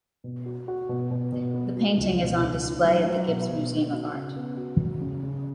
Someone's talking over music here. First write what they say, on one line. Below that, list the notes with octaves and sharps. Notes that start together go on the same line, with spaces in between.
The painting is on display at the Gibbes Museum of Art.
B2
F#4
F#4
B2
B2
B2
B3
F#4
C#2
B2
C#2
D#4
F#3
F#3
B2
B2
B3
F#4
C#3
B3
F#4
F#4
C#3
C#3